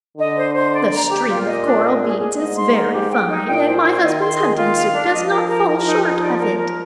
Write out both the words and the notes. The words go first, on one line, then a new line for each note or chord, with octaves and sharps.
The string of coral beads is very fine, and my husband's hunting suit does not fall short of it.
D3 D#5
C5
C5
D5
A#5
G4
A#2 F4
D#5
D4
D#5
G#4
G#4
G#2 D#5
C6
A#4
G4
G5
D#4
A#2 G5
C5
C5
D#3 D#5
C6
G#4
F4
F5
D4
F3 D#5
A#4
A#4
A#4
D#4
D#4
D5
A#4
A#4